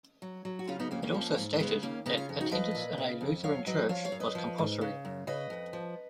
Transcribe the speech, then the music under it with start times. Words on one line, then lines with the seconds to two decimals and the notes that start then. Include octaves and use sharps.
It also stated that attendance in a Lutheran church was compulsory.
0.22 F#3
0.45 F#3
0.59 F#4
0.67 C#3 C#4 F4
0.79 B3 D#4
0.91 F2 A#3 C#4
1.02 A#3 C#4
1.14 F3
1.37 G#2
1.56 A#3
1.60 C#3 G#3 B3
1.83 D#2 A#3 C#4
2.06 C#3 B3 D#4
2.17 C#4 F4
2.29 F2
2.41 D#4 F#4
2.51 F3 B4 D#5
2.75 A#2
2.98 C#3
3.21 F2
3.43 F#3 C#5 F5
3.66 F#3 B4 D#5
3.89 F3 C#5 F5
4.05 C#5 F5
4.12 F#2
4.20 B4 D#5
4.35 F3
4.58 G#2
4.81 C#3
5.05 F#2
5.27 C#3 B4 D#5
5.50 F2
5.73 F3